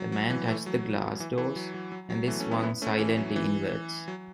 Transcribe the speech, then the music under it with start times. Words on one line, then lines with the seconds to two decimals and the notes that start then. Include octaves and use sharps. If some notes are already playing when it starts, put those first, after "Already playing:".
The man touched the glass doors, and they swung silently inwards.
Already playing: F#3
0.12 F#3
0.30 E3
0.48 E3 A3
0.66 F#3
1.20 E3
1.38 E3
1.56 F#3
1.74 F#3
1.92 F#3
2.10 F#3
2.27 E3 A3
2.40 A3 C#4
2.51 B3 E4
2.63 B3 E4
2.82 A3 C#4
2.99 E3 A3
3.17 F#3
3.36 E3
4.08 F#3